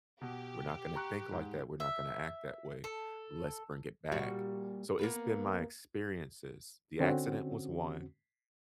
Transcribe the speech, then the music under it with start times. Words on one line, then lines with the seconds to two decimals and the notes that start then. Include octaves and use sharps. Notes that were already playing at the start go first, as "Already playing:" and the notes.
we're not gonna think like that, we're not gonna act that way, let's bring it back," so it's been my experiences. The accident was one,
0.21 B2 G4
0.96 A#5 C#6 F#6
1.32 G#2
1.80 E5
2.84 A4
4.12 A#2 G3 F#4
4.99 A#3 B3 B4
7.00 D3 C4 C#4 F#4